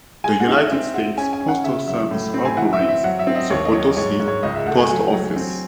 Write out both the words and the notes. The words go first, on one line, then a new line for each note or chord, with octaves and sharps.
The United States Postal Service operates the Potosi Post Office.
G#3 G#5
F#5
D#4
E5
C4 E5
G#3 F#5
C#4 G#5
G#5
C#4
F#5
C#3 E5
F#3 E5
A2
C4
G#5
E3 F#5
E5
C4
E5
F#3 F#5
E5
C4
D#5
D#2 C#5
D#5
F#3 C#5
G#2 C#5
G#2
C#5
C#2 D#5
E5
A3 F#5
G#5
F#3 G#5
F#3
C4